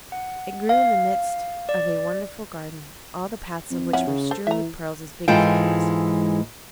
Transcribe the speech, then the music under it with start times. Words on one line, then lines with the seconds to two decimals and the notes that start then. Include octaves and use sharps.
It grew in the midst of a wonderful garden, all the paths of which were strewn with pearls as big as peas.
0.12 F#5
0.69 F5
1.69 D5
3.71 F2
3.93 C#4 E4 F#5
4.07 C#3
4.31 A4 C5
4.47 E3 E5 A#5
5.28 G#2 E3 G#3 F4 A4 G5